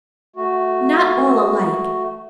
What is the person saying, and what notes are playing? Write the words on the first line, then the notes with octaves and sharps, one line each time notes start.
'Not all alike.
A3 F#4